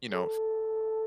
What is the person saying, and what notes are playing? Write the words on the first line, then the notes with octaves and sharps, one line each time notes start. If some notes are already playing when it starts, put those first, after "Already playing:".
you know, f
A4